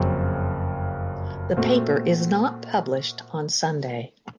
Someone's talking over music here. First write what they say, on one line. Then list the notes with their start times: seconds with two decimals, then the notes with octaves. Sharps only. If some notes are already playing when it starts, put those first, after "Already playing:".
The paper is not published on Sunday.
Already playing: F#1 F2 C#3 F#3 C4
1.57 A#2 A3 C4 F#4